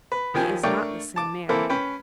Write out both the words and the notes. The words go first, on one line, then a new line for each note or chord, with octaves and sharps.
He is not the same man.
B4
D#2 D#3 F3 G5 G#5
A3 D4 A#4 C#5 G5 D6
A5 D6
E3 A#3 C4 E4 A4 B4
C#4 B4 G5